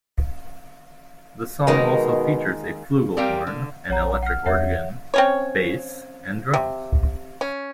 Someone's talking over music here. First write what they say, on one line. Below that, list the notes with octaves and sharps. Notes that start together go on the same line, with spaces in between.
The song also features a flugelhorn, an electric organ, bass, and drums.
B2 D#3 G#3 A#3
G3 C4 G4 A#4 F5 G5
D3
A#1 C#5 F#5 A#5
F#5 F6
E2 C#5 E5 F#5
C4 C#4 C#5
C3
C#4